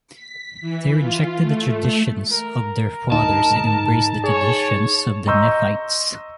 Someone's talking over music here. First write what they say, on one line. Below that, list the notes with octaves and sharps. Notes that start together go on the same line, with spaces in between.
They rejected the traditions of their fathers and embraced the traditions of the Nephites.
B6
E3
F4
A3
A#4
D2 D#4 A5
G#2
G#4 C#5
D#5 A#5 C6 C#6 E6 G6